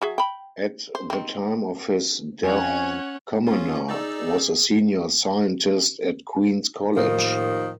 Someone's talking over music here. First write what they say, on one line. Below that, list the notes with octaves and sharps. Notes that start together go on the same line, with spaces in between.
At the time of his death, Commoner was a senior scientist at Queens College.
F#3 G#4 E5
G5 B5
C5
D#3 C4
F2 C#4 C#5 F#5 G#5
C#4 F4
D#4 G#4 D5 E6
D#2 A2 D#3 F3 A#4